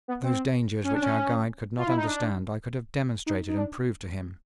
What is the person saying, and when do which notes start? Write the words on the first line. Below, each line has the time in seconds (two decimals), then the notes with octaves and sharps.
Those dangers which our guide could not understand I could have demonstrated and proved to him.
0.08 B3
0.23 C4
0.84 C#4
0.93 D4
1.02 C#4
1.78 F4
1.87 E4
1.96 D#4
2.05 D4
3.26 D#4
3.48 D#4
3.57 D4